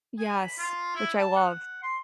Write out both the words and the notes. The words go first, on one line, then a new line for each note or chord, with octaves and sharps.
Yes, which I loved.
G#5
B5
F4
E4
A5
F#5
C6